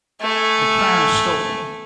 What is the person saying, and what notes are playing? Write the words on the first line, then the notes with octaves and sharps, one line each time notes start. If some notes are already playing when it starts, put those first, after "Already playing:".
The crown is stolen!
A3 G#5